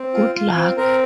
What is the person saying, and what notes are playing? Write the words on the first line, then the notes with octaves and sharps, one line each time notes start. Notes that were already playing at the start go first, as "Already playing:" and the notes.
Good luck?
Already playing: C4
F4
F4
C4
C4 A#4